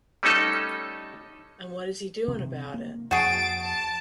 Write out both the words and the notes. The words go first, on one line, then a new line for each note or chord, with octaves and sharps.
And what is he doing about it?
G3 A3 C#4 D#4 A4
C3
A#3
F2 F#4 G#4 A6 D7
A5